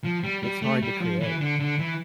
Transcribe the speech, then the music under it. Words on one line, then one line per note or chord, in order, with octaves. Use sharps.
it's hard to create,
F3
G3
G3
A3
G3
F3
E3
D3
D3
E3